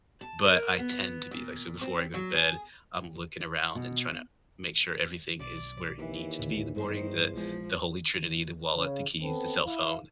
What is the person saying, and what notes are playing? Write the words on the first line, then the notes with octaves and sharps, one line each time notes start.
but I tend to be like, so before I go to bed, I'm looking around and tryna make sure everything is where it needs to be in the morning, that the holy trinity, the wallet, the keys, the cell phone,
A5
A#4
B3
A#2
C4
F#3
G#4
B2
B1 D5
D#2 E3
A1 D2
E2 G2 D#3 C5
A#1 F3 G#3
C#3
B3 C4 A4 B4
E4 F5